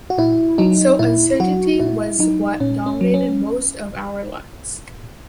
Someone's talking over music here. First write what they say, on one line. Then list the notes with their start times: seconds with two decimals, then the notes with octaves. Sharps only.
So uncertainty was what dominated most of our lives.
0.10 F#4
0.18 A#2 E4
0.58 F#3 D#4
0.99 A#2 E4
1.40 F#3 F#4
1.79 A#2 E4
2.19 F#3 D#4
2.60 A#2 C#4
2.86 C#4
3.01 F#3
3.14 C#4